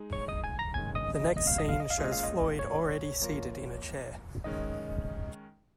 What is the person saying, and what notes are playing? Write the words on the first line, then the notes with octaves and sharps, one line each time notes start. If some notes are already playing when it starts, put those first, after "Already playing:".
The next scene shows Floyd already seated in a chair.
Already playing: G#3 D#4 G#4
C#5 C#6
D#5 D#6
G#5 G#6
A#5 A#6
D#3 G#3 C#4 G#5 G#6
D#5 D#6
D#5
D#5
F5
D#5
F5
D#5
F5
A#2 G#3 C#4 F4 G#4 D#5
F5
D#5
C#5
F3 A#3 F4 A#4
D#3 G#3 C#4 D#5